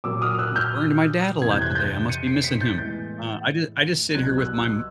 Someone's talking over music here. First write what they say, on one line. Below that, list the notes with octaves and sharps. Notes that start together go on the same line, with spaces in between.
I'm referring to my dad a lot today, I must be missing him. Uh, I j I just sit here with my m
A#2 F#3 A#3 D6 E6
D#6 F6
E6 F#6
F6 G6
F2 C3 E3 G#6
G6
F#6 G#6
G6 A6
C#7 D#7
C7 D7
B6 C#7
G6 A6
A2 E3 G#3 B3 G6 A6
C2 B2 F#3 F#6 G#6
E6 F#6
E6 F#6